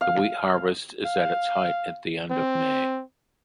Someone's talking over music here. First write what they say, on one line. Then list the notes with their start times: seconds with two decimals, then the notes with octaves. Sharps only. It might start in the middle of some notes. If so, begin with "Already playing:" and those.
The wheat harvest is at its height at the end of May.
0.01 F5
1.05 F5
2.30 C4